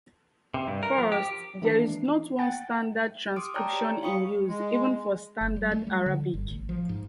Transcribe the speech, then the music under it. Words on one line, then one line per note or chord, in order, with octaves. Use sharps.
First, there is not one standard transcription in use even for Standard Arabic.
C3
G2
A#4
F3
G4
D#3 E3 D4 C7
F#5 G5 A6
G4 C6 D6 D#6 F6 D7
C#5 D5 G5 A5 A#5
G4
F5 G5 B5 C#6 D#6 C#7
G#3
F#1
G3
A3
G3
D3
G1
A1
F3
G#2